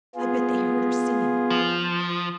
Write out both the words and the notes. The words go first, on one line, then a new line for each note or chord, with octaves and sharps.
I bet they heard her singin'!
B3 F4 G#4
F3